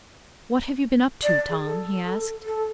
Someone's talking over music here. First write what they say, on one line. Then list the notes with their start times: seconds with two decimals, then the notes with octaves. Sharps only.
"What have you been up to, Tom?" he asked.
1.23 D5
1.50 G#4
1.65 A4
2.46 A4